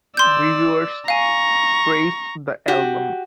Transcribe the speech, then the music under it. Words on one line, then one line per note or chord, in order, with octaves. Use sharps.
Reviewers praised the album.
D5 C6 E6 G6
F5 G#5 A#5 C#6
F#4 G4